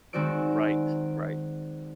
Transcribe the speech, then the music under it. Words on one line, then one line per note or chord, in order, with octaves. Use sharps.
Right, right.
D#3 G#3 C4 F#4 D5 D7